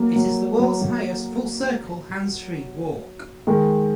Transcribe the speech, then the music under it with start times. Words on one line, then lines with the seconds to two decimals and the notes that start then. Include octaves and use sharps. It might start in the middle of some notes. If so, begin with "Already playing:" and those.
It is the world's highest full-circle, hands-free walk.
Already playing: F#3 A#3
0.16 F#3
0.60 F#3
0.82 F#3
3.47 D#3 G#3